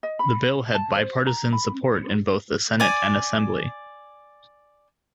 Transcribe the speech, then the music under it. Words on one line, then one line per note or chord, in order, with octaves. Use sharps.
The bill had bipartisan support in both the Senate and Assembly.
D#5
B5
A5
C5
A#5
B5
D5 G#5